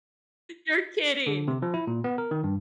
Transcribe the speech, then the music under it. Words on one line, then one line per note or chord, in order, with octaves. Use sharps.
You're kidding.
D3
C3
F3
E4
A#2
B3
A#4
D#3
G2